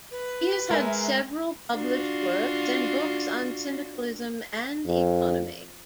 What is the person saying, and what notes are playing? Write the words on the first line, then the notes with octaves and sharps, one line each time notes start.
He has had several published works and books on syndicalism and economy.
B4
G#3 A#4 E5 G#5
D4 F4 F#4
F2